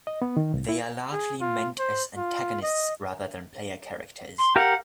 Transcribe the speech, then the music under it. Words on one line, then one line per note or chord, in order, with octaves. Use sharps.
They are largely meant as antagonists rather than player characters.
D#5
B3
D#3
C2
E4
G#4
F4
C5
F4
D#5
C6
G4 A#4 F5 F#5